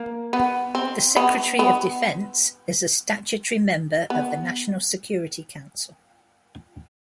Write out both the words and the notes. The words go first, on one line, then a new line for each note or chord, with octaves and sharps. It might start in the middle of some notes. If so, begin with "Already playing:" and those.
The Secretary of Defense is a statutory member of the National Security Council.
Already playing: A#3
B3
C4
B3
B3
B3